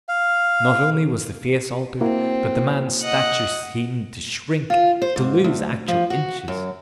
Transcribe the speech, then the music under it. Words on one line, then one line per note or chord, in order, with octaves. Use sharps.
Not only was the face altered, but the man's stature seemed to shrink, to lose actual inches.
F5
A#3 C4 E4 F#4
D#5 F#5
F4
C5
G#2
D2
F3
F#4
F#2